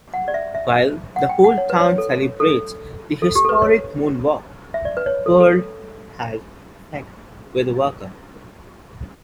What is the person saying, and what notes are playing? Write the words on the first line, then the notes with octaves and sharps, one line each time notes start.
While the whole town celebrates the historic moonwalk, Pearl has sex with Walker.
F#5
D5
E5
E5
F#5
G5
F#5
C#5
B4
C#5
A4
A4
A4
G4
A4
B4
C#5
E5
D5
B4
C#5
A4
A4